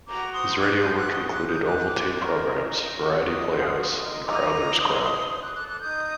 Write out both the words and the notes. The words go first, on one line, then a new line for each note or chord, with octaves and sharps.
His radio work included Ovaltine programmes, "Variety Playhouse" and "Crowther's Crowd".
F#4 A#5 D6
C5 C6 D#6
C5 D6 F#6
D#6 G6
F#4
D6 F#6
C5 C6 D#6
D6 F#6
C5
D#6 G6
C5 D6 F#6
C5
A#4
D#4
D#4
F#4
D#4 C6 D#6
F#4
A#4
D#4
D#4 A#5 D6
D#4
D#4 C6 D#6
D#4
C5 C6 D#6
D6 F#6
A4 D6 F#6
D6 F#6
D#4 D#6 G6